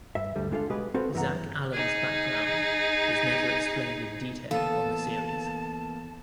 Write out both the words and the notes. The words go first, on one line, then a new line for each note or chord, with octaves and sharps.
Zack Allan's background is never explained in detail on the series.
G2 E5
D2 D3 G3 A3
G#3 D4 F4 A4 F5
B2 G#3 G4 G#4 B4
C4 F#4 A4 B4 F5
G2 E3 B3 A#4 F#5 A#5
D#4 G#4
E3 A#3 B3 A4 F5 A5